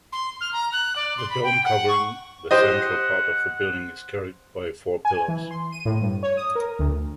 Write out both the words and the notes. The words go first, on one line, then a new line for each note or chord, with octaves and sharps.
The dome covering the central part of the building is carried by four pillars.
C6
F6
A#5
F#6
D5
C6
B5
G5
F#5
C#6
G4 C5 D#5 F#5
G#5
E3
C6
D#7
A2
G2
C#5
D#6
A#4
D2